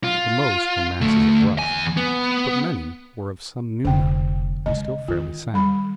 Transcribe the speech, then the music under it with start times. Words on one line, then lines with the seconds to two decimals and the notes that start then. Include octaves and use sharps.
The most were masses of rust, but many were of some new metal, and still fairly sound.
0.04 F4
1.01 D2 A3
1.59 E2 G#5
1.97 B3
3.85 F1 D3 G5
4.66 C#3 G#3 D#5
5.08 D#3 F4
5.54 G3 B5